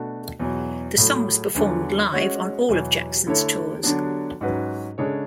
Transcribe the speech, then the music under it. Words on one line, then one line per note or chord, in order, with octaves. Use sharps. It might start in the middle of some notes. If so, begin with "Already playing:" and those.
The song was performed live on all of Jackson's tours.
Already playing: B2 A3 D4 F#4
E2 B2 F#3
A2 F#3 A3
E2 D3 F#3
G#3 C#4 F#4 C#5
E2 B2 F#3
D3 A3 E4 A4 C#5
D3 F#3 B3 D4
G#2 F#3 C#4 F#4 B4
C#3 G#3 D4 A4 C#5